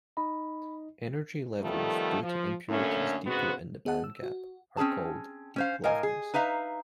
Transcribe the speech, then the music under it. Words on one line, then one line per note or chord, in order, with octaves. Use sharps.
Energy levels due to impurities deeper in the bandgap are called deep levels.
D#4 D#5 B5
D#3 F3 G3 A3 B3 A4
F3
F#2 D3 A3 A#3 C#4
G#2 C#3 B3 C4 F#4
B3 G#4 D#5 F#5 A5
E6
F#4
C4 C#4 D#4 G#4 A5
C#4 C5 F5
A2 A#4 D#5 F5 G#5
G#4
D#4 B4 E5 F5 A#5